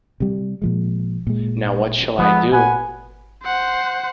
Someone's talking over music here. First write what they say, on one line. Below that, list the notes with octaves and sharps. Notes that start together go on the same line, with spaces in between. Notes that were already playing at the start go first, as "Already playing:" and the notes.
Now what shall I do?
C3 G3
A#2 F3 G#3
A#2 G#3
F3 G#3 A3 B3
A#2 B4 F#5 G#5
C5 F#5